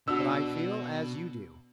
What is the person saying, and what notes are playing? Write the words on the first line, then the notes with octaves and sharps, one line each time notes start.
But I feel as you do.
B2 D4 F#4 E6